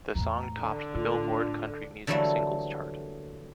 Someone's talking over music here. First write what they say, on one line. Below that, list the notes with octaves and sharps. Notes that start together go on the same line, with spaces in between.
The song topped the "Billboard" country music singles chart.
E2 A2 A#5
D3
A2 F4
D3 E3 F#3 G3 A3 A#3